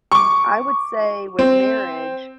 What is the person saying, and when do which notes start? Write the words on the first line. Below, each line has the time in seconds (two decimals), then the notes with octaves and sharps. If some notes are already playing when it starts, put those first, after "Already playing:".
I would say with marriage,
0.12 C#6 D6
1.39 C4